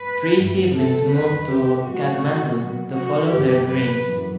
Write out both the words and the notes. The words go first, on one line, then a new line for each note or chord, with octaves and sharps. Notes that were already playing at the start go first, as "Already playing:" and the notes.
Three siblings move to Kathmandu to follow their dreams.
Already playing: B4
G2 E3 G3
A4
E2 D3 F#3 B4
G4
A2 F#3 F#4
B2 F#3
F#4
G2 D3 F#3 G4
B4
F#2 E3